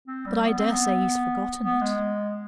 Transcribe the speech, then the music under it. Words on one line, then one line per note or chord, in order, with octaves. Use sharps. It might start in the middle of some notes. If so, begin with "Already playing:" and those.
"But I dare say he's forgotten it."
C4
G3
B3
C4
B3
B3
G#3